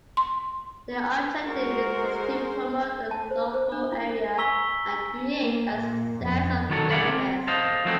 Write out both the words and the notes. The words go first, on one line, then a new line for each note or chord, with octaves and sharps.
Their objective is to promote the local area and create 'a sense of togetherness'.
C6
G#3 F#4 A#4 C5
A5
C5
C5
D4
E4
C#4
G#5 A#5 C#6 E6 B6 G7
A#3
A#2
F2
D#3 F#3 A4
C#2 G#4 A#4 D5 F#5 B5
C4
C5 D#5 F5 A5
F3 F#3 A3 C4 D#4 E4